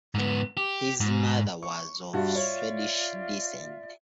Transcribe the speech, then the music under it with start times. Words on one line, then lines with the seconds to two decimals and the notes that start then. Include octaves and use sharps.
His mother was of Swedish descent.
0.15 G#2 B3
0.57 G4
1.00 G#2
1.62 C#6
2.13 G2 F4 F#4 D5 E5
2.36 C#5